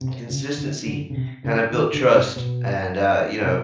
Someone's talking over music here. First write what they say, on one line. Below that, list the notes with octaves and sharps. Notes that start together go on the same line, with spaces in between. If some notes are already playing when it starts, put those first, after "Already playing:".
consistency kinda built trust and, uh, you know,
C3
C#3
D3
D3
C#3
C3
C#3
D#3
D3
C3
B2
C3